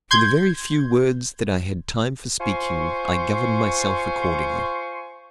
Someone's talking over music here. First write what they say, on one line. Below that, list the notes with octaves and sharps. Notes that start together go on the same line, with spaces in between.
For the very few words that I had time for speaking, I governed myself accordingly.
C6 G6 G#6
F4 C5 G#5 C6 C#6